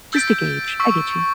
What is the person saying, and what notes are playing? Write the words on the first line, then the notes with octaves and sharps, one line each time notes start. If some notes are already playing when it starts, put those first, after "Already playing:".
Just to gauge. I get you.
E6 G6 A6 B6 D7
C#6 E6 B6